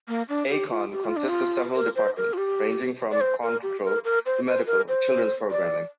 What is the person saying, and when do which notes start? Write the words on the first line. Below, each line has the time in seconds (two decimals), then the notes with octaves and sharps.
A-Kon consists of several departments, ranging from Kon Patrol to Medical to Children's Programming.
0.08 A#3
0.29 D4
0.49 G4
0.70 F4
0.92 G4
1.04 F4
1.17 D4
1.28 F4
1.75 A#4
1.96 C5
2.17 A#4
2.33 F4
2.38 G4
3.11 D5
3.21 C5
3.43 A#4
3.63 G4
3.84 A#4
4.05 A#4
4.26 C5
4.47 C5
4.67 A#4
4.89 C5
5.51 D5